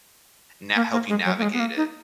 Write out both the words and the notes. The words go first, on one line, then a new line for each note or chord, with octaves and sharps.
na help you navigate it.
A#3
A#3
G#3
F#3
A#3
G#3
B3
A#3
D#4